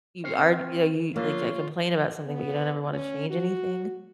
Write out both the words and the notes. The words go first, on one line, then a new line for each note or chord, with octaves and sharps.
you are you know y you like, I complain about something, but you don't ever wanna change anything.
C4 A#4 C5 C#5
D3 F3 A#3 F4 C#5
B3
C#4
F#4